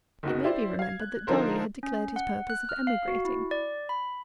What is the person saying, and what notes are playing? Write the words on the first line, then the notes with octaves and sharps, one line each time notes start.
It may be remembered that Dolly had declared his purpose of emigrating.
F#1 D#4 F#4
E4 G4 C5 D5
F5 G#6
F#6
D3 F3 D#4 A4 A#4 C5
C#4
F#5
F#6
F6
F5
F#4
E4
D5
B5